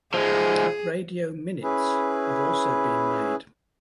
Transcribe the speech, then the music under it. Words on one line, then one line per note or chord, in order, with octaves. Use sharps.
"Radio minutes" have also been made.
F3 G#3 G#4
C#4 E4 G#4 B4